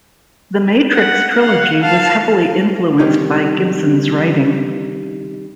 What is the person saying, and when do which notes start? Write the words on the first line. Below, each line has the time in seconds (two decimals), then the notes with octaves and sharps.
The Matrix Trilogy was heavily influenced by Gibson's writing.
0.93 F#5
1.38 F5 F#5
1.80 F5 A5
2.99 C3 D#3 G3 C#4